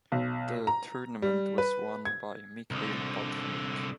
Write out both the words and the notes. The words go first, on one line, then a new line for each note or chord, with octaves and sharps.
The tournament was won by Mikhail Botvinnik.
B1
A#5
G3
B4
G#6
C2 D3